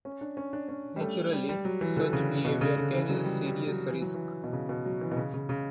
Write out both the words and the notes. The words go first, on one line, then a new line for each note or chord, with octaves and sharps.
Naturally, such behavior carries serious risk.
C#4
D4
C#4
D4
C#4
G3
A3
G3
G3
F#3
E3
D3
C#3
B2
C#3
D3
E3
F#3
G3
G3
F#3
E3
F#3
E3
B2
C#3
B2
F#3
E3
B2
C#3
C#3
C#3